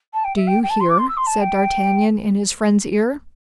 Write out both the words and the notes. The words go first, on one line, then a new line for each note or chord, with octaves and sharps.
"Do you hear?" said D'Artagnan in his friend's ear.
A5
G5
E5
G5
G5
A5
C6
D6
C6
E6
C6
A5
G5